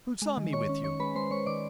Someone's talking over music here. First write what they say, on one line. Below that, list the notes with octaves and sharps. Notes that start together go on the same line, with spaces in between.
Who saw me with you?
G#3
D#3
D#3 C#5 C#6
C#4
D#3 C#5 C#6
G#3 B4 B5
G#3 C5 C6
G#3 C#5 C#6
D#3 D5 D6